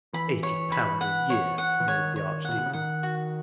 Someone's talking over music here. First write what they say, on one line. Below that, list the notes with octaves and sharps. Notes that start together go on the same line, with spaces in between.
"Eighty pounds a year!" sneered the archdeacon.
E3 B5
C#5
B5
F#5
C#5
F#5
E3
D#3 C#5
C#5
A#2 F#5
B2
C#3
D#3 F#5
F#4